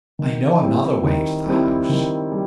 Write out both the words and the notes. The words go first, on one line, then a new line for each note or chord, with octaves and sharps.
I know another way to the house.
D#3
G3 C4 E4
D#3
G3 C4 E4
D#3
G3